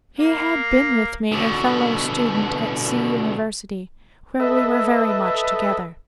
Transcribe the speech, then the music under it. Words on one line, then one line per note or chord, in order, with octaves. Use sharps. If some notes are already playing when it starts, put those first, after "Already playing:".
He had been with me a fellow-student at C-- University, where we were very much together.
A#3
B2 D3
A4 B4 D#5 E5